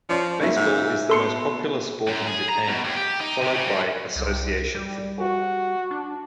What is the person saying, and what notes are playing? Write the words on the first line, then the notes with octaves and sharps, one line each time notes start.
Baseball is the most popular sport in Japan, followed by association football.
F3 C#4 C#5 D5
C#3 A#3 D#4 E5
G#2
B2 A4 C6 C#7
F#2
G#4
A#5
B2
D#2
G4
D#4
C3
C#3
G2
C2
G3
F#4
D4